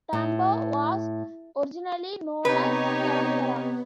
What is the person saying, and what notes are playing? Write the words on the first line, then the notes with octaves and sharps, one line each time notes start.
Tambo was originally known as Carrangarra.
A2
C3 B3 D#4 G4 B4 C#5